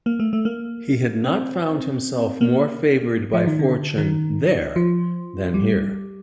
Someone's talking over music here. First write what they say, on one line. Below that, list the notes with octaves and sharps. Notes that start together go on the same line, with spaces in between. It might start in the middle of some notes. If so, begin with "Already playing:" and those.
He had not found himself more favoured by fortune there than here.
A#3
A3
A3
A#3
C4
A#3
F3
D#3
D3
D#3
F3
G3